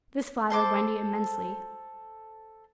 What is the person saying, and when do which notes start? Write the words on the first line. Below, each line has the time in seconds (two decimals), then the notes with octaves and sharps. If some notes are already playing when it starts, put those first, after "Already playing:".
This flattered Wendy immensely.
0.50 A4 C5 D6